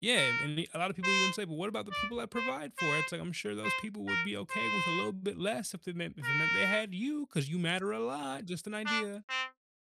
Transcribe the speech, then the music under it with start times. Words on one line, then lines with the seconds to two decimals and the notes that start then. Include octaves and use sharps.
Yeah, and the a lot of people even say, "But, what about the people that provide for it?" It's like, "I'm sure those people would be okay with a little bit less if they meant if it meant they had you 'cause you matter a lot. Just an idea."
0.17 A#4
1.04 C5
1.91 D5
2.35 C5
2.78 C5
3.64 C5
4.08 A#4
4.51 C5
6.25 A#4
8.85 D4
9.29 C4